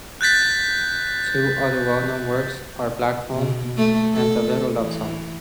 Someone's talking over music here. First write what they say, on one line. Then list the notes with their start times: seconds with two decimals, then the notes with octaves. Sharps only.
Two other well-known works are "Back Home" and "A Little Love Song".
0.21 F#6 G6 A6 B6
3.33 B2
3.77 A3
4.14 A4
4.76 E3